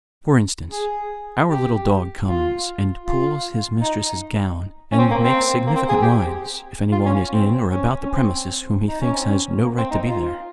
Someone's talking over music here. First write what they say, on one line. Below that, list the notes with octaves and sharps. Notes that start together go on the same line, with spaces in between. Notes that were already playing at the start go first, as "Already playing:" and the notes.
For instance, our little dog comes and pulls his mistress's gown and makes significant whines, if any one is in or about the premises whom he thinks has no right to be there.
G#4
G4
F4
F4
D#4
C#4
C4
A#3
C4
A#3
C4
G#4
G4
F4
C#4
C4
C#4
C#4
C4
D#4
C#4
C4
C#4
A#3
C4
D#4
F4